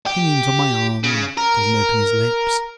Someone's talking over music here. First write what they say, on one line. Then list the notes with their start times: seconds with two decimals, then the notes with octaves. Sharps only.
He leans on my arm, and doesn't open his lips.
0.06 G4
1.04 C#3
1.37 A#4